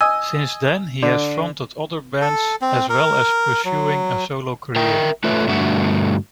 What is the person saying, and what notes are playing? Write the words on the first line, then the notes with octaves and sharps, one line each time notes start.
Since then he has fronted other bands, as well as pursuing a solo career.
D#5 G#5 E6
D3 D5
A4
C4
A#4
F#3
A#4 E5 G5
A3 F4 A4 B4 C#5 E5
G2 D3 A3 F#4 E5 F#5